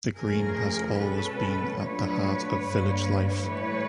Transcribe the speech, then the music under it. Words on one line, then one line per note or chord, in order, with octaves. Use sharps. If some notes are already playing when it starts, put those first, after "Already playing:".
The Green has always been at the heart of village life.
F2 C#3 F3 A3 G#4 A#4
B2 G#3 C#4 A4 B4
A#2 F#3 A3 D4 B4 C#5
G2 D3 G3 A#3
A2 E3 G3 B4 C#5